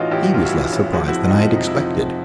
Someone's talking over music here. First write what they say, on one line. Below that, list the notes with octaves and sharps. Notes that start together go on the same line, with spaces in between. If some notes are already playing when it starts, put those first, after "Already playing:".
He was less surprised than I had expected.
Already playing: A1 E3 D#4 F4 F#4
A1 G4
F#4
G2 F4
E4 F#4
E3
A1
F3 F#4 G#4
E4 F#4
F2
D#4 F4
F2
D#4
C3 D#4
E4
F3 D#4
F2